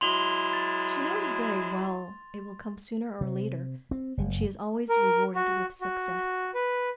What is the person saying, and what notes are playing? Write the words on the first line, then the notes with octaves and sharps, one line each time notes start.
She knows very well it will come sooner or later, and she is always rewarded with success.
F#3 G#3 E4 C6 F7 G7
A6
C3
C4
F#1
A#4
F#4
F#4
B4